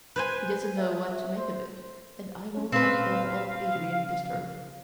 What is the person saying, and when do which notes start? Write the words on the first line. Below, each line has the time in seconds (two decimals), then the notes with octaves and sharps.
He doesn't know what to make of it, and I won't have poor old Adrian disturbed.
0.16 B4 C5 G#5
0.78 E5
1.37 C5
2.55 C#4 C#5
2.72 A#2 C4 B4 F5 G#5
3.75 C#3 F3